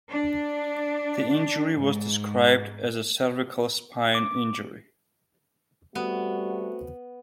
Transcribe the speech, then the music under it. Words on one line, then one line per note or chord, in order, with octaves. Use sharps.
The injury was described as a cervical spine injury.
D4
G#2
D6
G3 A3 B3 C4 F#4